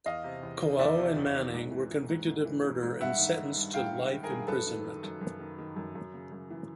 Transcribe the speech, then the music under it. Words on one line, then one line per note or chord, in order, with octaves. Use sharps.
Kouao and Manning were convicted of murder and sentenced to life imprisonment.
E2 D#5 F5
C3
E2
D#3
E2 D5 E5
C3
E2
D#3
G#2
E3
E3
G#2
G#2
E3
E3
G#2
G2 E5 F#5
D#3
D#3
G2
G2 F5 G5
D#3
D#3
G#4 A#4
G2
F#2 A4 B4
D#3
D#3
F#2
F#2
D#3
D#3
F#2
F#2
C#3
F#2
E3